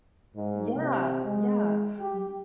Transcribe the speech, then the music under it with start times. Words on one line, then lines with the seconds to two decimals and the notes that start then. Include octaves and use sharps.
Yeah, yeah, w
0.36 G#2
0.75 C3
1.24 G#3
2.01 G4